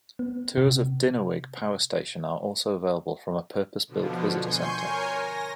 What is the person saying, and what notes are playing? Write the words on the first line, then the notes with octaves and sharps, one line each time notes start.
Tours of Dinorwig power station are also available from a purpose-built visitor centre.
B3
C3
B2 D3 F3
G#5 C6 C#6 G6
A#4 C#5 G#5
A#6